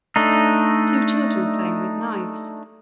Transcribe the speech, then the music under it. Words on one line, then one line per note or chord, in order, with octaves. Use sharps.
Two children playing with knives.
A3 D4 D#4